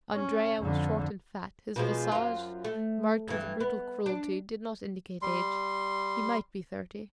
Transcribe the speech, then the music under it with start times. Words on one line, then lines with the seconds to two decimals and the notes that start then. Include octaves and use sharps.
Andrea was short and fat; his visage, marked with brutal cruelty, did not indicate age; he might be thirty.
0.14 C#4
0.60 F2 D3
1.76 B2 F3 G#3
2.12 F#2 F4
2.64 A3
3.28 G2 E3
3.60 B3
4.06 D4
5.22 G3 C6